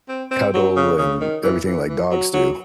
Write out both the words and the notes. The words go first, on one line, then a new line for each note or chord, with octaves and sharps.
cuddle, and everything like dogs do.
C4
C4
F#3
C#3
C#3
D#3
E3
E3
E3
F#3
F#3